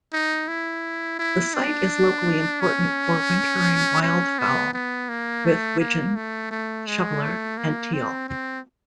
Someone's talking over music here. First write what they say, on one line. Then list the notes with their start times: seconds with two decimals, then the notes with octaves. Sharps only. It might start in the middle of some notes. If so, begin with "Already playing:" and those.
The site is locally important for wintering wildfowl, with wigeon, shoveler and teal.
0.13 D#4
0.48 E4
1.19 E4
1.54 D4
2.61 C#4
4.03 C#4
4.39 B3
4.74 B3
5.09 A#3
5.45 A3
5.80 A#3
6.15 A3
6.51 A3
6.87 G#3
7.22 A3
7.58 A#3
7.93 C4
8.29 C4